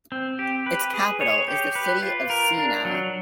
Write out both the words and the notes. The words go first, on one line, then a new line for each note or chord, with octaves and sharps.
Its capital is the city of Siena.
C4
G4
B4
G#4
C#5
G4
B4
F4
A#4
D4
F#3